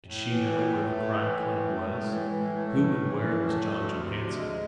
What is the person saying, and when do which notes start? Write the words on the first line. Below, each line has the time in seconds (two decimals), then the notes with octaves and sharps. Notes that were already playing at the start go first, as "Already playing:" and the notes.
Did she know where the Crime Club was? Who and where was John Johansson?
0.06 A2
0.28 E3
0.51 A2
0.73 A3
0.96 A2
1.19 E3
1.42 A2
1.64 A3
1.87 A2 G#3
2.09 E3
2.17 G#3
2.33 A2
2.48 G#3
2.55 A3
2.78 A2 F3
3.01 E3
3.23 A2
3.46 A3
3.70 D2
3.93 C3
4.14 D2
4.37 G#3